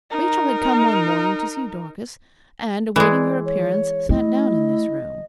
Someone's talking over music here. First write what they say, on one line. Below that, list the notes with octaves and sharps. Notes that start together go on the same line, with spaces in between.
Rachel had come one morning to see Dorcas, and, awaiting her appearance, sat down in this room.
D#4 A#4
E3 G#3 D5
C#5
A3 E4 D#5